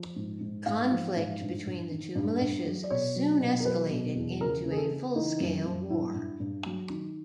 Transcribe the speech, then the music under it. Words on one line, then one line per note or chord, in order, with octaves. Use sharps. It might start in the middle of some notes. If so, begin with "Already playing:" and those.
Conflict between the two militias soon escalated into a full-scale war.
Already playing: F3
G#2
G#2
G#2 F5
F3
G#2
G2
G2
D#3
G2
G2
F#3
D5
B2 C#5
F#3
B2
A#4
F#3 B4
B2
E2
C#3 A#4
C#3
G#4
A4
C#3
E3 D#4
F#2
F#2
G2 E4
G2
G2
F#3
D#3